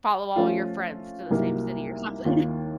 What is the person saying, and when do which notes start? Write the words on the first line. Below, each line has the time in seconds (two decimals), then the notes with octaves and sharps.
follow all your friends to the same city or something.
0.36 F3 A3 C#4 F4
1.30 C2 C3 F#3 A#3 D#4
2.25 D#2 D#3 A#3 F4